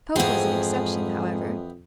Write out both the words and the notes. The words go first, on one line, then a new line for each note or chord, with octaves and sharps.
Pope was an exception, however.
F2 G#2 E3 B3 C4 G#4